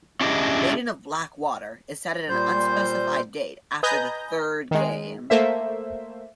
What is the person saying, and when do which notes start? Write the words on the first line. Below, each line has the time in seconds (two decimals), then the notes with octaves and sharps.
"Maiden of Black Water" is set at an unspecified date after the third game.
0.21 C#4 D4 E4 G4 G#4 D#5
2.29 A#2 G3 C5 G6
3.83 B4 D#5 G#5 A#5 G6 A#6
4.71 D#3 G#3
5.30 A3 A#3 C5 E5